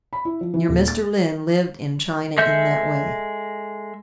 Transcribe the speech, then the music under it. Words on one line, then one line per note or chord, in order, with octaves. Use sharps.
Your Mr. Lyne lived in China in that way.
B5
E4
F3
E3
D#1
A6
G#3 A4 E5 G6